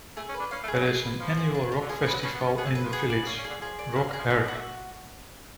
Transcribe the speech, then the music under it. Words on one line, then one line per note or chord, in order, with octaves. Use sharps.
There is an annual rock festival in the village, Rock Herk.
A3 G#4
C#4
B4
D4
C#4 F5
A3
G#4
F#3
G#4
B4
F3 F5
G#4
D4
F4
D3
F3 G#4
F3
B4
F#3
C#4 D4
B3
F4
C#4
B3 G#4
A3
B4
F3
B3 G#4
D5
B3
C#4 F5
C#4
G#4
D3
F3 G#4
D5
F#3 F5
D3
G#4
F3
F#3 D4
B3
F#4
A3